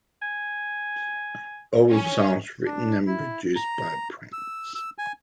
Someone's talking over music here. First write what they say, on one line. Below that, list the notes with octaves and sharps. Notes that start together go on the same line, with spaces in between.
All songs written and produced by Prince.
G#5
C#4
D4
E4
A#5
E6
E6
G#5